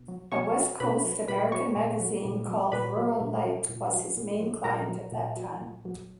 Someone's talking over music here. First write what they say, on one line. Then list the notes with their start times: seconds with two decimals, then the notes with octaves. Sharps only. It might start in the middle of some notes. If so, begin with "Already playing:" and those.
A west coast American magazine called "Ruralite" was his main client at that time.
Already playing: B2
0.08 F#3
0.32 B2 C#5 C#6
0.57 F#3
0.80 B2 B4 B5
1.04 F#3
1.28 A#2 B4 B5
1.52 F#3 C#5 C#6
1.76 A#2
2.00 F#3
2.25 A#2
2.48 F#3
2.72 A#2 B4 B5
2.97 F#3
3.21 A#2
3.44 F#3
3.69 A#2
3.93 F#3
4.17 A#2
4.40 F#3
4.64 A#2 A#4 A#5
4.89 F#3
5.12 A#2
5.36 F#3
5.61 A#2
5.85 F#3